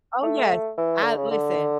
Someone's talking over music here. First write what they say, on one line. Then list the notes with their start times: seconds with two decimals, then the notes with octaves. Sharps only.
Oh, yes. I listen,
0.23 A3
0.78 E3
1.03 D3
1.17 C#3
1.31 D3